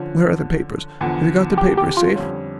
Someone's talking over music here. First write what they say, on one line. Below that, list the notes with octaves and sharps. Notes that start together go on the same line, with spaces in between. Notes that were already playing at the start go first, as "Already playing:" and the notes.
Where are the papers?--Have you got the papers safe?
Already playing: D3 F3 C#4
E2 D3 F3
G4
G4
F4
F2 D3 G3 C#4